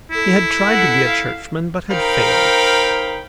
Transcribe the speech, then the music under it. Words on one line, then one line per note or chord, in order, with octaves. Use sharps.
He had tried to be a churchman but had failed.
E4 A4
A4 F#5
F5
D#4 A#4 C5 F5 G5 B5